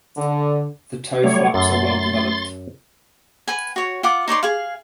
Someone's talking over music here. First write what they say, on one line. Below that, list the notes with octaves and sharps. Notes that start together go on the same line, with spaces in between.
The toe flaps are well developed.
D3
F#3 G3 A3 C#5
F#2 C6 A6
B4 F#5 G#5
F#4 C#5
F4 F#5 D6
D#4 C#5 D5 C6
G#4 F5